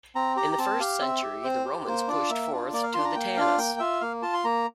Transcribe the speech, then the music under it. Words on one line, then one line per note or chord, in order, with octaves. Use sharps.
In the first century, the Romans pushed forth to the Taunus.
C4 A#5
G4 A#5
A#5
C4 A5
G4 F5
C4 E5
G4
C4 C5
G4
A#3 C5
D4 F4 D5
A#3 E5
D4 F4
A#3 D5
F5
D4 F4 C6
A#5
A#3 G5
D4 F4 F5
A#3 G5
F4 E5
A#3 F5
F4 A5
C6
A#3 A#5